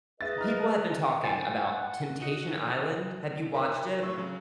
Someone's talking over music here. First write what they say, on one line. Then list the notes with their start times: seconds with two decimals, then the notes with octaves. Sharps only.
people have been talking about Temptation Island, have you watched it?
0.21 G#4 B4 D#5 E5 A6
0.38 A#5 F6
1.24 G5 G#5 A6
1.60 F#5
2.21 D#4 F#4 C#7
3.54 D#4 A#4 C#5 B5
4.03 A2 F#3 C#6 E6
4.17 C#3 F#3